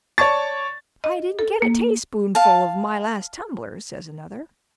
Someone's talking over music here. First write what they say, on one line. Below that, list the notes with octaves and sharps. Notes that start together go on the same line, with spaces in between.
"I didn't get a tayspoonful of my last tumbler," says another.
C#5 D5 A5 C#6 A6
D#5
A4
A#3
F5 A5